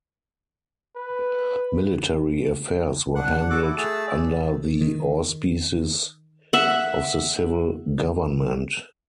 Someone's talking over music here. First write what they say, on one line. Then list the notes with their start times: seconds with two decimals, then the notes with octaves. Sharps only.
Military affairs were handled under the auspices of the civil government.
0.96 B4
3.15 D4 F#5 F#6
3.50 F#4 A4 D6 F#6
3.62 E4 D6
3.77 A3 G#4 A5 E6
4.07 D5
4.81 D#3
6.53 E5 F#5